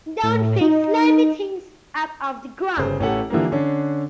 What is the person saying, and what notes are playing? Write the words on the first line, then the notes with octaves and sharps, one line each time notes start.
Don't pick slimy things up off the ground.
A2
D#4
G1 C#3 C5
A1 C#4 G4 A4 F#5
D3 E3 F3 G3 A#3
D3 C#4 D4